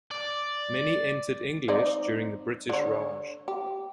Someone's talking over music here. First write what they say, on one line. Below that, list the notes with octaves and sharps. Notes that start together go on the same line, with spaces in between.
Many entered English during the British Raj.
D5
C4 D#4 D5
D3 C#5
G4